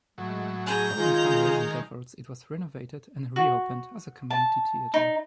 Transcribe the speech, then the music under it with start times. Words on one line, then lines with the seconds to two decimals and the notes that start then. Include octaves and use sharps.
Following fundraising efforts, it was renovated and reopened as a community theatre.
0.18 A2 F#3 G#3
0.66 G#4 G#5 A#5 G6
0.97 D#3 G#3 F4 G#4
3.36 F#4
4.30 A5
4.94 D#4